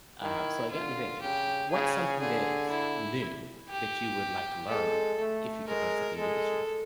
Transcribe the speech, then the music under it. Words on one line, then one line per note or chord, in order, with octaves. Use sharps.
Uh, so it got me thinking, what's something that's new that you would like to learn, if you could learn something new this year?
D#3 E4
D3 F4
C#3 G4
C#3 G#4
D3 G#4
E4
G4
G#3 A4
A3
G#3 A#4
G#3 A4